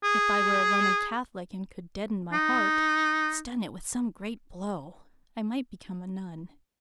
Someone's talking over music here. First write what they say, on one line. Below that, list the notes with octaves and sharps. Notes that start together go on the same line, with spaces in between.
If I were a Roman Catholic and could deaden my heart, stun it with some great blow, I might become a nun.
G#4
D#4